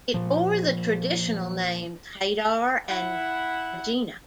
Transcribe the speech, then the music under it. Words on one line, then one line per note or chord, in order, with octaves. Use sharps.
It bore the traditional names "Hadar" and "Agena".
A#2 F3
E4 F#5